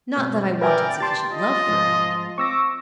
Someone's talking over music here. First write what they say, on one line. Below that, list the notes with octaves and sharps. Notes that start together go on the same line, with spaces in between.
Not that I wanted sufficient love for Amelia.
G2 B2 C4
A#4 B4 D5 E5 G5 G#5
G4 A5 C6 A6
F4 D#5
G#2 F3
C4 C#6 D6 E6 A#6